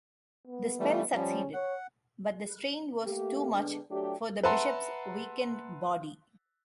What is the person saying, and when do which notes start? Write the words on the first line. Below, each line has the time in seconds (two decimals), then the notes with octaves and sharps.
The spell succeeded, but the strain was too much for the Bishop's weakened body.
0.47 B3
0.79 E3 G3 A3
1.13 F3 G3 C#4
1.54 C#5 F#5
3.05 A3 A#3 G4
3.52 D3 G#3 B3 D4
3.90 F#3 A3 D4 G4
4.43 B4 E5 F#5 A5 A#5 C6